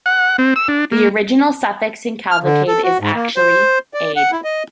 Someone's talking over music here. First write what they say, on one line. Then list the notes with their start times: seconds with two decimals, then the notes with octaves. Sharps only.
The original suffix in "cavalcade" is actually "-ade".
0.06 F#5
0.38 C4
0.56 E6
0.68 D4
0.92 A#3
2.31 F6
2.43 D3
2.68 A4
2.83 F#4
3.01 G#2
3.15 A#3
3.36 C5
3.94 D5
4.16 F#5
4.32 E4
4.44 D#5